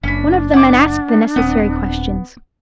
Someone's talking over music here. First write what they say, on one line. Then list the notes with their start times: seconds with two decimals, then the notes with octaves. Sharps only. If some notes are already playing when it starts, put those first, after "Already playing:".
One of the men asked the necessary questions.
0.03 F#1 C#4 D4 B5
0.53 F#5 D6
1.36 D#1 B3 C4 D#6